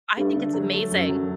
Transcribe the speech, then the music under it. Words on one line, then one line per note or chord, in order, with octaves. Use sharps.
I think it's amazing.
G2 A3
D3
G2 F#3
A3
F#2 F#3
F#3